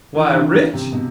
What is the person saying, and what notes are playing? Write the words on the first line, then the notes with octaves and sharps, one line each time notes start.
Why, rich?
E3
D#3
D3
D#3
C#3
C3
B2